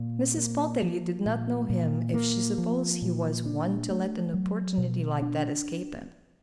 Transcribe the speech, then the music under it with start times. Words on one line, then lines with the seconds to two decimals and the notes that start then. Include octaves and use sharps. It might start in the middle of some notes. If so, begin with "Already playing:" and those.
Mrs. Pontellier did not know him if she supposed he was one to let an opportunity like that escape him.
Already playing: A#2
0.37 A#3
0.82 F3
1.26 A#2
1.70 A#2
2.14 A#3
2.58 F3
3.02 A#2
3.46 D4
3.90 A3
4.34 F#3
4.78 B2
5.22 D4